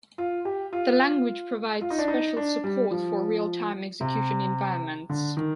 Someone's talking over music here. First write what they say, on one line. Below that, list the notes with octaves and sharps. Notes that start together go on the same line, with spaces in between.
The language provides special support for real-time execution environments.
F4
G4
F4
F4
D#4
D4
D#4
D4
G3
F3
C3
D3
D#3